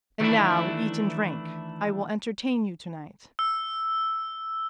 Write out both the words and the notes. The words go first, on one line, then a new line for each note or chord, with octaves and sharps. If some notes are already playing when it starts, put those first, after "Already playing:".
And now eat and drink; I will entertain you to-night.
D#3 E3 A3 C#4 D4 E4
E6